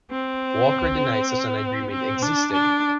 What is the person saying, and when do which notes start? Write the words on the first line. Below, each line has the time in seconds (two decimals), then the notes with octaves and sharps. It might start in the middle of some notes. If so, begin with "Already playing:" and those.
Walker denied such an agreement existed.
0.11 C4
1.91 C4
2.22 D4
2.52 D4